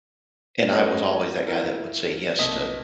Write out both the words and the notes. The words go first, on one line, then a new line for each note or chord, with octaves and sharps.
And I was always that guy that would say yes to,
G#3 A3 C#4 B4 C#5 D#5
E4 A#4 E5 F5
B1 C3 A#3 D#5 D#6 B6